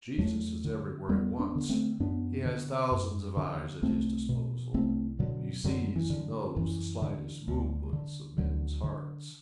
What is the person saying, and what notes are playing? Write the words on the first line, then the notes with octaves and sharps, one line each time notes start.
Jesus is everywhere at once; He has thousands of eyes at His disposal; He sees and knows the slightest movements of men's hearts.
E2 F#3 A3
D3
E2 G3 B3
B3 D4
D3
A3 C4
F#2 B3 D4
D3
F#2
D3
C2 A3 C4
B2
C2 A3 C4
B2 D3 F#3
F#2 D3 F#3
E3
D3
F#2 E3
D3
D2
D3
D2 D3 F#3
D3